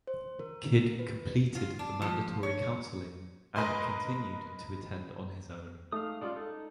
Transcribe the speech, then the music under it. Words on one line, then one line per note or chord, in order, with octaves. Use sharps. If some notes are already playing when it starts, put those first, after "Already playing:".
Kidd completed the mandatory counseling and continued to attend on his own.
C5
A#4
B4
F4
D4
F3
C#5
A#4 B4 D#5 G#5 C6
G#3 A3 D#4 F5 D#6
G3 G#3 C#4 F4 D5
D#4 A4